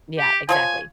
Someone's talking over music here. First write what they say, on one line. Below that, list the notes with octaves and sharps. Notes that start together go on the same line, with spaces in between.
Yeah, exactly.
G4
F3 G#4 C#5 G#5